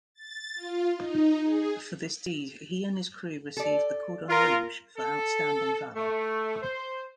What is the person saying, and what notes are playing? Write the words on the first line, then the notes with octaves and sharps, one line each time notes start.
For this deed he and his crew received the 'Cordon Rouge' for outstanding valour.
A6
F4
D#4
G#4
A4 D5
F4 A#4
A4
A3
C5